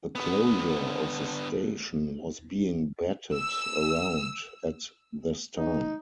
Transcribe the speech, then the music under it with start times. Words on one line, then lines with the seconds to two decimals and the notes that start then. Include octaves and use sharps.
The closure of the station was being batted around at this time.
0.15 D3 B3
3.35 E6
5.56 D#4